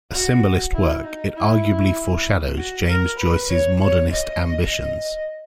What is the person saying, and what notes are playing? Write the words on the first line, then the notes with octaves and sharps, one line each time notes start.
A Symbolist work, it arguably foreshadows James Joyce's Modernist ambitions.
F#4
E4
D#4
E4
F#4
A#4
B4
C#5
C#5
D#5